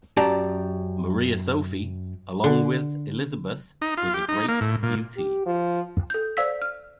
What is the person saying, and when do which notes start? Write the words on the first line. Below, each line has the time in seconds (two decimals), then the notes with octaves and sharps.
Maria Sophie, along with Elisabeth, was a great beauty.
0.17 F#2 G4 D5 A5 A#5
2.44 D3
3.82 D#4
3.97 F4
4.14 G4
4.29 D#4
4.49 A#3
4.61 A2
4.83 A#2
5.17 G4
5.46 F3
6.10 A4 G6
6.37 C5 D5 F5 E6 B6
6.62 F6